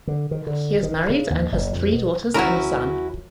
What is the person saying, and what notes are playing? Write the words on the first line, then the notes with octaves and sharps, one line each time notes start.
He is married and has three daughters and a son.
D3
D#3
D3
D#3
C#3
D#2
F#1
F2
B2
F#3 C#4 E4 F#4 A#4